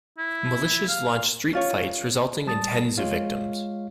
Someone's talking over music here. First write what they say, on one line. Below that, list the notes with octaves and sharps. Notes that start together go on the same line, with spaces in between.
Militias launched street fights resulting in tens of victims.
E4
F5
C#4 F4 C#5
G3 A5 D#6 A6
G#3 F4 C#5 F5